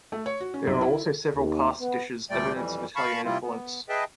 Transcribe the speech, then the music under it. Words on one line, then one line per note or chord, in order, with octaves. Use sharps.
There are also several pasta dishes, evidence of Italian influence.
A3
C#5
F#4
C#4
B1
E4
D#2
B3
D2 A#2 G3 A3 D5 G5
F2 E3 G3
F5 A5 B5 C#6
C3 G3 A#3 C4 E4 F4
B3
G#4 B4 D#5 E5 G5 A5